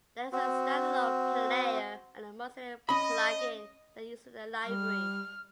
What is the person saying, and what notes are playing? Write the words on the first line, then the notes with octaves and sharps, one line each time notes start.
There is a standalone player and a Mozilla plugin that uses the library.
C4 F#4
C#4 D#5 B5
G3 F6